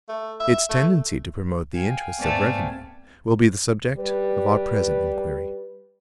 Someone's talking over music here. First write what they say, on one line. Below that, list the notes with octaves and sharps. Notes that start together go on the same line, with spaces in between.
Its tendency to promote the interests of revenue will be the subject of our present inquiry.
A3
E5
A3
F5 G5 G#5
G#2 A3 B3 C4 D5
G3 B4